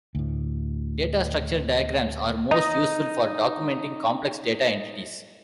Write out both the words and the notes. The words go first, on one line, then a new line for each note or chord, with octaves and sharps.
Data structure diagrams are most useful for documenting complex data entities.
D2 A2
D#4 D#5 A#5